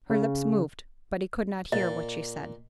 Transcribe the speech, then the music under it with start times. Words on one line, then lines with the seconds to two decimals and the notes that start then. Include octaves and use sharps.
Her lips moved, but he could not hear what she said.
0.10 C#3
1.72 A#2 D#5